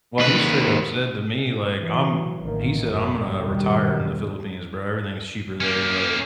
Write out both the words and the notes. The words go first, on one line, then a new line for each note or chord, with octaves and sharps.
Well, he straight up said to me like, "I'm" he said "I'm gonna retire in the Philippines, bro, everything is cheaper there, like
D#2 B4
E3 F#3
A1 D#3 A#3
F#2
E2 G2 B2 D#3 G3
A#3 C#4